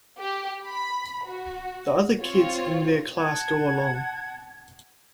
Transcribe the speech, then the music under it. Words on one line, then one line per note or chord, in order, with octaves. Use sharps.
The other kids in their class go along.
G4
B5
F#4
C4 F4 C#5
F#5 A5 G#6